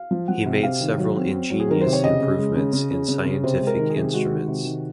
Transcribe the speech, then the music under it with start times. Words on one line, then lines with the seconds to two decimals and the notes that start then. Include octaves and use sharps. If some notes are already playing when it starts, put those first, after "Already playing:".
He made several ingenious improvements in scientific instruments.
Already playing: F5
0.11 F3
0.28 F3 F#5
0.46 C3
0.63 C3 F5
0.80 D#3
0.98 F#3
1.15 C4
1.33 C4
1.50 F#3
1.60 G#4
1.68 D#3 A#4
1.81 C5
1.86 C3
1.93 C#5
2.03 C#3 D#5
2.21 C#3
2.38 G#3
2.56 C#3
2.73 C#3
2.91 C#3
3.08 C#3
3.25 C#3
3.43 C3 C5
3.61 G#3
3.67 A#4
3.78 D#3
3.90 G#4
3.95 C3
4.13 G#3 F#4
4.31 D#3
4.48 C3
4.65 D#3